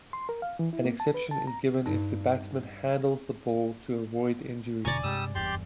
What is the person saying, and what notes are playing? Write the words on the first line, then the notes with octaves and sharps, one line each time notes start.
An exception is given if the batsman handles the ball to avoid injury.
C6
A#4
F5
E3
E4
A#3
A5
B4
A5
A#5
G2 D#4
E1 B2 D3 D5 G#5 A#5 C#6
G2 C3 G3 G#3 D#6 E6
F#1 E2 G2 G4 D5 C6